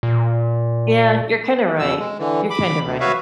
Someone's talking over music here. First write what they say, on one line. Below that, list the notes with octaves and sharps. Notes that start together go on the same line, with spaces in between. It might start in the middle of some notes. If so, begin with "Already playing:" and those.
Yeah, you're kinda right. You're kinda right.
A#2
F2 B2 E6
G#3
D3 E3
B5 D6
D2
F#4 B4 C#5 E5 F5